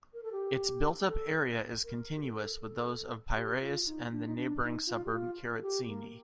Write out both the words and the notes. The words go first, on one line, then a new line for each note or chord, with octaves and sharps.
Its built-up area is continuous with those of Piraeus and the neighbouring suburb Keratsini.
A#4
A4
G4
A4
A#4
G4
A4
A4
G4
F4
D#4
D4
D#4
D4
D#4
F4
G4
F4
A4
G4
A#3